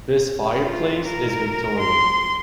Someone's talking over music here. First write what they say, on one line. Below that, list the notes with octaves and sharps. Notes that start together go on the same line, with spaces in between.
This fireplace is Victorian.
F4
A#4
C6